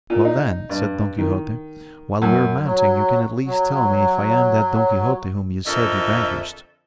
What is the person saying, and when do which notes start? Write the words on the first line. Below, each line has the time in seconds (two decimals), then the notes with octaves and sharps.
"Well then," said Don Quixote, "while we are mounting you can at least tell me if I am that Don Quixote whom you said you vanquished."
0.10 A#2
0.25 D#4
0.70 G2
1.18 D#3
2.22 F#2
2.62 F#3
3.45 F#3
5.65 F2 D3 A4 A#4 D#5 E5